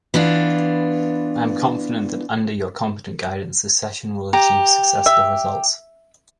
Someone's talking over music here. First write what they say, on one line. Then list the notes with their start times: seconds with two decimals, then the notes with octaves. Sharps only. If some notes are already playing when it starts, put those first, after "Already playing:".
I am confident that under your competent guidance this session will achieve successful results.
0.14 E3 B3 D4 F4
4.33 G4 A#5
5.06 E5